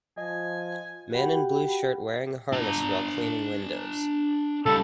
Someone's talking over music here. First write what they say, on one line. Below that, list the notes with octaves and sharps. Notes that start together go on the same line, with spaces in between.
Man in blue shirt wearing a harness while cleaning windows.
F3 D#5 G#5
F#4 G4 F#5 G5 B5
D4 A#5
C#3 G3 A4